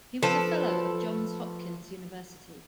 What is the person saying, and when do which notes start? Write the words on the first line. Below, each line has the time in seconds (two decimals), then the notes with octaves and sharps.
He was a fellow of Johns Hopkins University.
0.23 F3 A4 B4